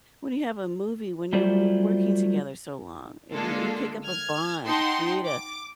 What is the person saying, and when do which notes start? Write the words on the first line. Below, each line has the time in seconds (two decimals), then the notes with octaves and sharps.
when you have a movie, when you're w working together so long. It mm, you pick up a bond, you create a
1.33 F#3 G3 A3 F4 C5 D5
3.33 D3 G#3 A#3 F4 A4
4.06 F6 G#6
4.66 D#4 F#5 G5 A5 C6
5.27 D6